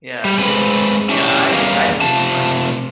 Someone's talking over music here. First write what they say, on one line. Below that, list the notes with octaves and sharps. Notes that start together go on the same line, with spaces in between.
Yeah. 'Cause, you know, I I need my sleep.
G3
G#3 C4 B4
C#4 D4 E4 G4 C#5
E2 G3 A#3 C#4 G#4 F5
C3 F3 A5